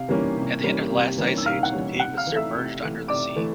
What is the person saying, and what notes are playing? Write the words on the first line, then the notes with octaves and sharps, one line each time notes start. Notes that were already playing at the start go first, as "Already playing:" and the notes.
At the end of the last ice age, Napeague was submerged under the sea.
Already playing: C3 F5
E3 G3 A#3 C#4
C3
E3 G3 A#3 C#4
C3
E3 G3 A#3 C#4
E6
C3 F5 F6
F#5 F#6
E3 G3 A#3 C#4
C3 F#5 F#6
F5 F6
E3
A3 E5 E6
C3
E3 A3
C3 D5 D6
E3 A3